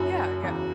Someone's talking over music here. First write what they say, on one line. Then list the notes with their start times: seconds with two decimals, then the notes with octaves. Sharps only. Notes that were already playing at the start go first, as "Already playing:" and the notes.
Yeah, yeah.
Already playing: F#1 F#2 F#3 E4 F#4
0.42 E1 E2 C#3 E3 F#4